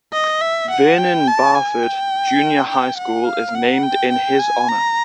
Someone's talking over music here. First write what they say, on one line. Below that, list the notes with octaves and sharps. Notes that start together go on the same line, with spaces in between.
Vernon Barford Junior High School is named in his honour.
D#5
E5
F#5
G5
A5
G#5
G5
G5
F#5
F5
F#5
G5
G5
G#5
A#5